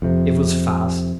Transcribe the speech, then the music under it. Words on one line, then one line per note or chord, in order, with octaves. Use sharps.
It was fast.
F2 C3